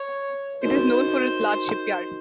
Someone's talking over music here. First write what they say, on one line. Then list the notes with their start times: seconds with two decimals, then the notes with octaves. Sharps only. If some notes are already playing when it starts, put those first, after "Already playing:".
It is known for its large shipyard.
Already playing: C#5
0.63 D#4 F#4 A#4 C5 D#5